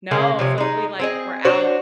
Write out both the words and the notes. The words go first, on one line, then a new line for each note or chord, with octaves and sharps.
No, so, if we, like, were out,
C#3 G#3 A#3 C#4
C3 F3 C#4
G#3 D#4
C4 G#4 D#5
D4 F#4 C5 C#5